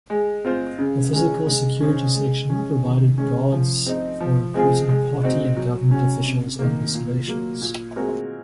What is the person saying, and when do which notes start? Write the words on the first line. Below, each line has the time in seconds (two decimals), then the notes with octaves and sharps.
The physical security section provided guards for important party and government officials and installations.
0.10 G#3
0.45 C4 F4 C5
0.78 C#3
1.13 G#3 C#4
1.47 G#3
1.81 C#4 G#4 C5
2.15 G#3
2.50 C#4 G#4
2.84 D#3
3.18 G#3 C#4
3.52 F3
3.86 C4 D#4
4.20 F3
4.54 G#3 C4 F4 G#4
4.89 G#3
5.23 C4 D#4 F#4
5.57 F#3
5.91 C#4 F#4
6.25 C3
6.59 D#3 A#3
6.94 A#2
7.28 F#3 A#3
7.61 A#2
7.96 G#3 C4 F#4 A#4